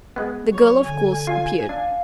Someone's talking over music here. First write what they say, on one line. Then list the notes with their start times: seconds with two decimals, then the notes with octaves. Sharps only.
The girl of course appeared.
0.16 G#3 B3
0.53 F#3 C#5
0.86 D3 G#5
1.27 F4
1.69 D4 F5